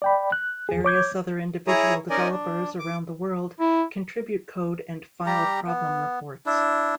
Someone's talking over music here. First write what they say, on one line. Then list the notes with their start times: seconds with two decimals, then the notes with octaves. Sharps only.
Various other individual developers around the world contribute code and file problem-reports.
0.02 D5 G5 B5
0.32 F#6
0.69 E2 G#4
0.85 C#5 D6 G6 G#6
1.67 E4 G#4 C#5 A#5 D#6
2.10 C#4 D#4 A#4 D5 D#5 G#5
2.30 D4
2.79 D6
3.60 E4
5.26 G3 G4 A#5
5.66 B3
6.46 D4 E4